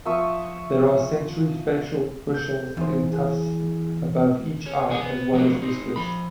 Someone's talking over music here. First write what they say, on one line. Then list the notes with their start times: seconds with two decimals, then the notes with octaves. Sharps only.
There are sensory facial bristles in tufts above each eye as well as whiskers.
0.05 F3 E5 C#6 D#6
2.34 A4 G6
2.77 E2 D#4 G#4 C5
3.13 E4 G#4
4.66 C#4
4.88 D#2 C3 B3 D4 G#4
5.01 B3
5.33 F3 F#3 A3 A#3 D4
5.62 C4 D#4
5.96 F3 B5